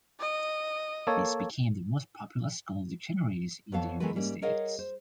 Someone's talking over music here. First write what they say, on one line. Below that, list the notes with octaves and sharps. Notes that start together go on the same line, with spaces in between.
These became the most popular school dictionaries in the United States.
D#5
A#3 A4 C#5
F2 B3 A4 C#5 F5 A5
E3 G#3 A3 B3 A#4 B4
G#2 G3 A#3 C#4
G#4 A#4 C#5 D#5 F5 F#5
C5